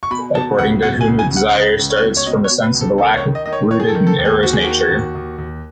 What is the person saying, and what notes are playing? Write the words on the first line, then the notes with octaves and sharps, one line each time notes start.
According to whom the desire starts from a sense of lack rooted in Eros nature.
C#6
B2 B5
B2 A5
C#2 F#5
B2 F#5
G#5
C#2
G#5
C#2
F#5
C#2 D#5
C#2
C#5
B2
C#5
B2 D#5
C#5
B2
B4
C#2
A4
D#3 A4
C#5
D#3
D#5
D#3 D#5
C#5
D#3 C#5
G#4
A4
D#3
A4
D#2
G#4
D#2 F#4
G#4
D#3 F#4
D#2
D#2
D#2